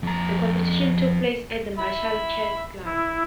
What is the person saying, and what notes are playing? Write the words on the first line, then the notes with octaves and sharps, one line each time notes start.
The competition took place at the Marshall Chess Club.
F2 A#5
E5 B5
E4